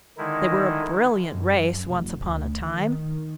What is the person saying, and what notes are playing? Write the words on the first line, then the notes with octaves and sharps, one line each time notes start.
They were a brilliant race once upon a time.
D3 D#3 G#3 D#4 E4
F#2
F1
D2
D#3